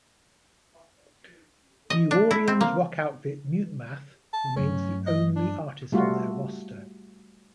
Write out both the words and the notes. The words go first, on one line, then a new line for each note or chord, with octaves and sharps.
New Orleans rock outfit Mutemath remains the only artist on their roster.
D#5
D4
E4
C4
A#3
A5
G2 F#3 A3 C#4
D#5
D4
G3 A3 F4 F#4